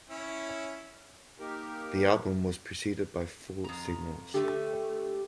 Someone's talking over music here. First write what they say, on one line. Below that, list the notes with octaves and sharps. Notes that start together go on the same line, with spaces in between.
The album was preceded by four singles.
C#4 E4 C#5
A#3 D#4 G4 A#4
F2 A#5
D3 A3 G4